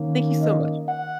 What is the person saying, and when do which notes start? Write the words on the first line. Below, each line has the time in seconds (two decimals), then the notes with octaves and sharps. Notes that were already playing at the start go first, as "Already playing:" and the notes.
Thank you so much.
Already playing: D#3 A#3 C#4
0.39 D#5
0.86 F#5